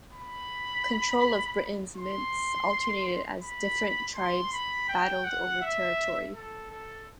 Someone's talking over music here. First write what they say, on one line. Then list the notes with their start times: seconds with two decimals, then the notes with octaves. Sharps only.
Control of Britain's mints alternated as different tribes battled over territory.
0.13 B5
1.96 C6
3.42 B5
4.15 C6
4.52 B5
4.89 G5
5.24 F#5
5.61 E5
6.35 A4
6.71 A4